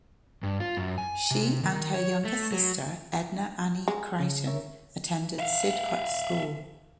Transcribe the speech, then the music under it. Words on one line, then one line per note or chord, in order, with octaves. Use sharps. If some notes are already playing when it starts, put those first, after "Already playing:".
She and her younger sister Edna Annie Crichton attended Sidcot School.
G2
F4
F#2
G#5
C3
D#3
C#5
A3
F#3
G#3
C#3
A#4 C#5 E5
E5 F5